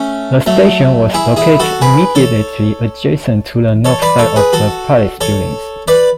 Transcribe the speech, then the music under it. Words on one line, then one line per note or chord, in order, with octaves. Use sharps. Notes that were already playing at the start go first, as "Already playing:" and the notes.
The station was located immediately adjacent to the north side of the Palace buildings.
Already playing: A3 C#4
F#3 A3
E4 G#4
E4 G#4
F#4 A4
G#4 B4
A4 C#5
A4 C#5
B4 D5
A4 C#5
G#4 B4
F#4 A4
A4 C#5
B4 D5